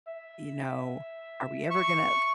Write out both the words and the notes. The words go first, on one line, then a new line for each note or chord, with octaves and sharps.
you know, are we ever gonna"
E5
C#6